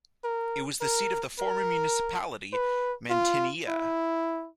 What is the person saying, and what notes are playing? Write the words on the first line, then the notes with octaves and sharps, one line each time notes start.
It was the seat of the former municipality Mantineia.
A#4
A#4
A#4
B4
F4
E4